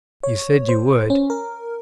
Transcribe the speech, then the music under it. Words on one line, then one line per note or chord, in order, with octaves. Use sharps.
You said you would.
C#5
C5
C#4
A#4